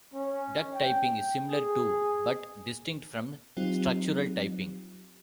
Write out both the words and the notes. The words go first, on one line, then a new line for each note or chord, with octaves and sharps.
Duck typing is similar to, but distinct from structural typing.
C#4
G5
G#4
F#3 C4 D#4 F4 G4